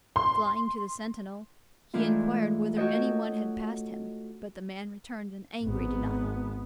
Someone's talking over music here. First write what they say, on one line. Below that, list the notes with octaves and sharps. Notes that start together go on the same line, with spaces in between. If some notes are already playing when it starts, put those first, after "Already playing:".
Flying to the sentinel, he inquired whether any one had passed him, but the man returned an angry denial.
C6
G#2 E3 A3 D4 F4
F#4 A4 C#5 D#5 G5
G#1 B3